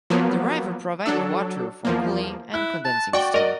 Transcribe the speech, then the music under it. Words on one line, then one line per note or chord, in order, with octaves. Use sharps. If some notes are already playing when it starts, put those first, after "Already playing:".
The river provided water for cooling and condensing steam.
F3 F#3 A#3 B3
F#3 D4 A4
E2 F3 A#3
E4 F#6
A5
F#4 D5 G5 C#6
A#4 D5 D#5